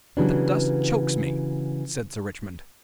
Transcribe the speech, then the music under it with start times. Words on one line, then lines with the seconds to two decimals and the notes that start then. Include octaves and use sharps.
"But the dust chokes me," said Sir Richmond.
0.17 C#3 E3 F#3 G3 B3 D4